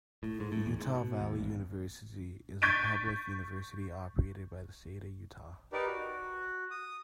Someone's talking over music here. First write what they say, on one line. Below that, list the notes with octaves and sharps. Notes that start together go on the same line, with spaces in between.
Utah Valley University is a public university operated by the state of Utah.
A2
G#2
A2
E2
G#2
B2
D#2
A1
C#6 G6 A6 B6 D7 D#7
D#4 G4 A#4 B4 D5
F#4
D#6